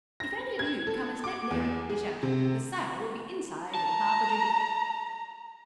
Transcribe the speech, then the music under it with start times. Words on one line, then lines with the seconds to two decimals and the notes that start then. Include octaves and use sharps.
"If any of you come a step nearer," he shouted, "the sow will be inside in half a jiffy."
0.20 A#6
0.59 G#6
0.87 A4
1.24 D6
1.51 E2
1.90 G#4
2.23 C3
3.75 A5 A#5